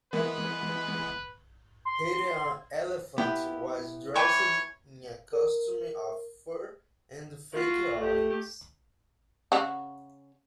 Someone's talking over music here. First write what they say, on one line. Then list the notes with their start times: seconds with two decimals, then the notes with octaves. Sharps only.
Rather, an elephant was dressed in a costume of fur and fake horns.
0.13 E3 G#3 B3 A#4 B4 E5
1.85 C6
3.18 B3 E4 G4
4.15 E3 C#5 G5 C#6
5.33 A#4
7.54 F4 F#4
7.99 A3 G4
9.52 C#3 F#4